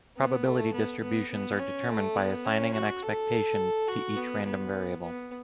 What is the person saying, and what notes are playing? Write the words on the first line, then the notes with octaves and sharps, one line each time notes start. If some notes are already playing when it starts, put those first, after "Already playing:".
Probability distributions are determined by assigning an expectation to each random variable.
B3
A3
B3
B3
B3
C#4
A3
B3
C#4
F#4
A4
F#4
B3
B3
B3